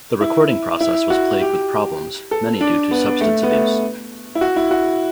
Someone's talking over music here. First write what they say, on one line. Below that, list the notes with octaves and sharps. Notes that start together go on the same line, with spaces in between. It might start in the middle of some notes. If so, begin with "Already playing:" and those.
The recording process was plagued with problems, many due to substance abuse.
E4
E4
F#4
G4
A4
D4
B3
A3
B3
A3
E4
F#4
E4
F#4